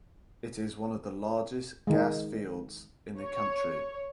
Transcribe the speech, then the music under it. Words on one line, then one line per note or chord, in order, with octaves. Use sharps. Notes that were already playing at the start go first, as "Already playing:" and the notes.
It is one of the largest gas fields in the country.
D#3 G#3
C#5